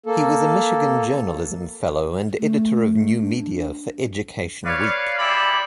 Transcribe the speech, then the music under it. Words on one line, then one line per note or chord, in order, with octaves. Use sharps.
He was a Michigan Journalism Fellow and editor of new media for "Education Week".
A#3 A4
A3
D4
B4 C#5 D5 F5
G3 G#3 E4 D5 B5